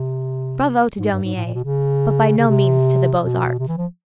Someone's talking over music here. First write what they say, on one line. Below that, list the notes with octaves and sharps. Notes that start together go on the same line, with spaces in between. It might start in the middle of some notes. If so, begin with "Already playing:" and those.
Bravo to Daumier, but by no means to the Beaux-Arts!
Already playing: C3
G#2
G2
G#2
A2
A#2
B2
C#3
C#3
C3
B2
C3
E3
F3